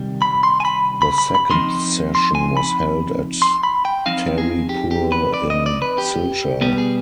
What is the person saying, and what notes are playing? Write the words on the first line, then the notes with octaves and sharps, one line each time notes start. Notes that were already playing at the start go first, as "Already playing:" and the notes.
The second session was held at Tarepur in Silchar.
Already playing: C3 D#3 G3
B5
C6
G#5
B5
B5
B5
B5
F3 C4 D#4 C6
C6
G#5
B5
C6
B5
G5
F3 C4 D#4 F5
G#4
G4
G4
B4
D5
D#5
D5
B4
G4
B2 G3 B3 G4
G#4